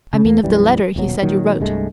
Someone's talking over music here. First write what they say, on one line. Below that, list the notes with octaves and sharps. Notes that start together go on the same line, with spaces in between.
"I mean of the letter he said you wrote."
C#3
E2 A#3
B1 F#2 E3 G3
D#1 B2 F#3
A#2 D#3 F#3
C2 G2 G#3 A3